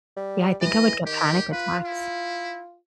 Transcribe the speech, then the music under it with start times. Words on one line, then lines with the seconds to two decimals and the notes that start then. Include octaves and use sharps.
yeah, I think I would get panic attacks.
0.17 G3
0.61 E3 D#5
1.06 D#3 G4
1.52 F4 B4
1.85 E4